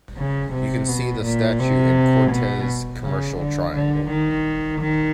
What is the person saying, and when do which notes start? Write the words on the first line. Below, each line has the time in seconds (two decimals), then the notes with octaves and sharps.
You can see the statue in Cortes Commercial Triangle.
0.17 C#3
0.53 C3
0.88 B2
1.24 A#2
1.60 C3
2.31 B2
3.03 C#3
3.39 D3
3.74 D3
4.10 D#3
4.81 D#3